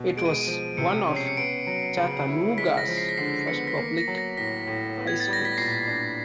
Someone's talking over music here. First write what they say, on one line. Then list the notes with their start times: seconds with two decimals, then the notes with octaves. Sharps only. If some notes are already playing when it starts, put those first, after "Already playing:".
It was one of Chattanooga's first public high schools.
Already playing: B2
0.17 G#3 D7
0.25 D#7
0.34 D7
0.42 D#7
0.47 F3 D7
0.77 C3 C#7
1.08 C#4
1.16 C7
1.27 C#7
1.37 B3 D7
1.67 F#3
1.97 C#3
2.28 E4
2.58 G#3 B6
2.77 A#6
2.88 F3
2.98 C7
3.09 B6
3.18 D3 C7
3.41 C7
3.47 B3 C#7
3.67 B6
3.78 A#3 C7
3.98 A#6
4.08 F#3
4.18 A#6
4.37 A2 B6
4.67 A2
4.98 B3
5.07 G#6
5.20 A6
5.28 G3
5.33 A#6
5.45 B6
5.57 A#2 C7
5.87 D4